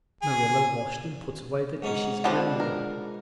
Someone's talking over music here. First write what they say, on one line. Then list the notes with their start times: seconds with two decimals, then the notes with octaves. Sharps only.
Marilla washed and put away the dishes grimly.
0.22 G#4
1.82 G#2 C#4 D#4 F#5
2.24 F3 G3 C4 D4 F4 F#5
2.60 A#4